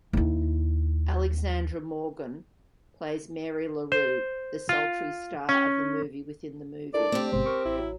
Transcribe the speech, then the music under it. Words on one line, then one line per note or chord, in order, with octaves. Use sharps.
Alexandra Morgan plays Mary LaRue, the sultry star of the movie within the movie.
D#2 E4
C5
F4
C#4
D4 E4 A4 A#4 D5
A3 C4 G4
G1 B2 G#3 C5
A#4 C#6
A1 E4
F#3